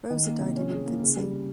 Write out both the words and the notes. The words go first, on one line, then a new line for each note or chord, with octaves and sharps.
Rosa died in infancy.
D#3
A#3
C3
C#4
G#4
A#3
C#3
G3